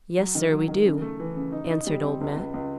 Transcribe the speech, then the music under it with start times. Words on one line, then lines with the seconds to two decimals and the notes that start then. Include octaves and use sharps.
"Yes, sir, we do," answered Old Matt.
0.18 F#3
0.35 D#3
0.51 F#3
0.68 D#3
0.86 C#3
1.02 A3
1.20 E3
1.36 C#3
1.52 D#4
1.70 D#4
1.87 G3
2.03 C4
2.21 C#2
2.37 C#2
2.54 C#2